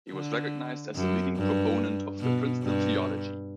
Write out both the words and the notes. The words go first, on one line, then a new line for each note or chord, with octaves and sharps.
He was recognized as the leading proponent of the Princeton theology.
D3
F#2
G2
B2
G2